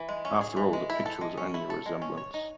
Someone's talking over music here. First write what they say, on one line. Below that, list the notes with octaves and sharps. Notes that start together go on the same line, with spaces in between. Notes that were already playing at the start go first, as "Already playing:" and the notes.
After all, the picture was only a resemblance.
Already playing: E3
G#3
C#4
G#4
E3
G#3
E4
A4
G#3
C#4
E4
A4
G#3
C#4
C#5
D#4